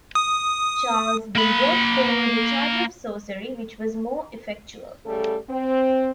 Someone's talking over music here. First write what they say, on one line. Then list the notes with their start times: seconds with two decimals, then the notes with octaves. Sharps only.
Charles then brought forward a charge of sorcery which was more effectual.
0.15 D#6
1.35 A#3 B5
5.05 C#3 G3 A3 A4
5.49 C4